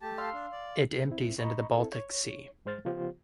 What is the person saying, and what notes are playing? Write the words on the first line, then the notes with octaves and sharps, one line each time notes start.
It empties into the Baltic Sea.
A3 G4 A5
F5 C6 E6
D4
D5
C4 E4
D#5 A#5 B5 C#6
C4 E4 A4
C#5
G#2 G#3 C5 F6 A6
C#3 F3 B3 F4 G4 C5